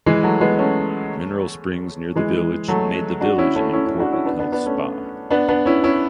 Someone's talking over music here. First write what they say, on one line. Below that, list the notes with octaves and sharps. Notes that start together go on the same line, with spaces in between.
Mineral springs near the village made the village an important health spa.
E3 G#3
F#3 A3
G#3 B3
A3 C#4
E3 G#3
F#3 A3
D4 F#4
C#4 E4
A3 C#4
C#4 E4
C#4 E4
D4 F#4
C#4 E4
B3 D4
B3 D4
B3 D4
A3 C#4
B3 D4
B3 D4
C#4 E4
C#4 E4